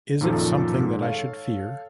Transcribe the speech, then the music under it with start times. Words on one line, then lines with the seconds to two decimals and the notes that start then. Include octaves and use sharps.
Is it something that I should fear?
0.21 F#2 A#2 D#3 F3 A4
0.79 G#2
1.02 A4 C#5 F5